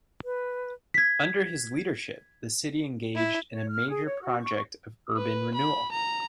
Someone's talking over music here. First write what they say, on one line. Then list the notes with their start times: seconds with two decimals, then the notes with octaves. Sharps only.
Under his leadership, the city engaged in a major project of urban renewal.
0.25 B4
0.94 G#6 B6
3.16 E4
3.52 C#5
3.70 F6
3.89 G#4
4.05 C#5
4.22 F#4
4.39 C#6
5.17 B4
5.54 B5
5.92 A#5